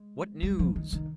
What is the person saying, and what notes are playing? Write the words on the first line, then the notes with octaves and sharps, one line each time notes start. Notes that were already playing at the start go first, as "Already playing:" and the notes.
"What news?"
Already playing: G#3
G3
F3
D#3
D#3